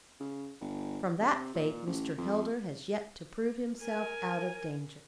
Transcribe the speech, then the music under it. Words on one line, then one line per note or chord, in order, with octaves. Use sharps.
From that fate Mr. Heldar has yet to prove himself out of danger.'
C#3
G1
C3
A#2
A1
F2
A#4 G#5